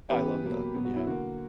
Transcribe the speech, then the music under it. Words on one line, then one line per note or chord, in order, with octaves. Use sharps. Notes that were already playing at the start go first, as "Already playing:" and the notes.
I love that, yeah.
C#3 E3 B3 G4 B4
B2 F#3 A#3
B2 F#3 B3
F#4
E4
D3 A#3 F#4